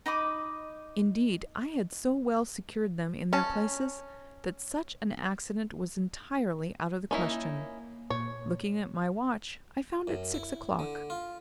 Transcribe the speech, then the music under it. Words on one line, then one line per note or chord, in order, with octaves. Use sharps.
Indeed, I had so well secured them in their places, that such an accident was entirely out of the question. Looking at my watch, I found it six o'clock.
D#4 D#5 B5 D6
C#4 A5
A#3 C#4 D#4 E4
A#2 C#5
F#2
E4
D3
F4